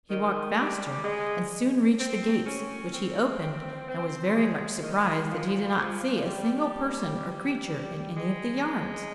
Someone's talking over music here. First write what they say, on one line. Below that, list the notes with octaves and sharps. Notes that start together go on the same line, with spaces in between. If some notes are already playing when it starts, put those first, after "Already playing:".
He walked faster, and soon reached the gates, which he opened, and was very much surprised that he did not see a single person or creature in any of the yards.
D#3
G3
G#3
C4
C#4
C4
C4
C4
G#3
D#3
F3
G3
G#3